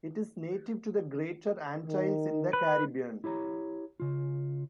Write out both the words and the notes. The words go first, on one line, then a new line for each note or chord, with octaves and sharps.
It is native to the Greater Antilles in the Caribbean.
D#3
B4
E4 G4 C#5 A#5
C#3 F4